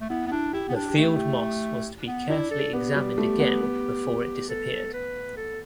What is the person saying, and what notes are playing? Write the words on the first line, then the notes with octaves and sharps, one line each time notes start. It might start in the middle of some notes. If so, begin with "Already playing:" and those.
The field moss was to be carefully examined again before it disappeared.
A3
B3 E4
B3
D4 E4
E4 G4
B3
D4
G4
A3
E4
G4
B3
D4 E4
A4
B3 G4
G3
A3
B3
B3
A4
B4
A4